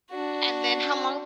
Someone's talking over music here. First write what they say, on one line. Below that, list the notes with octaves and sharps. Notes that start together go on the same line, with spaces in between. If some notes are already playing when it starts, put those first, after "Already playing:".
And then how long
D4 F#4